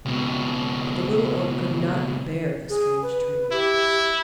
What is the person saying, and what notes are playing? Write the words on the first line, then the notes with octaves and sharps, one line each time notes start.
But the Little Oak could not bear the strange Trees.
C#2 B2
G#4
B4
E4 G4